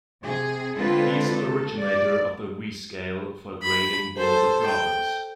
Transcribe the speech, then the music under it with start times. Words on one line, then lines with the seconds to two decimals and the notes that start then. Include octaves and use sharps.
He is the originator of the V-scale for grading boulder problems.
0.20 C3 G#4
0.75 D3 G#3 C4 F4 A4 B4
1.26 A4
1.77 D5
3.63 B5
4.17 A4 C5
4.66 G5